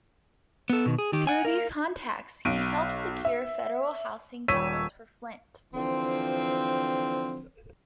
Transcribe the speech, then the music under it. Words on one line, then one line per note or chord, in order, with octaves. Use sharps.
Through these contacts he helped secure federal housing dollars for Flint.
B3 A4
B2 D#3
G#4
D#3 G4
F#5 G#5
A#4 F5
B1 D7 D#7
E5
D#1 C#5 E6 B6 D#7
D3 E3 F3 C4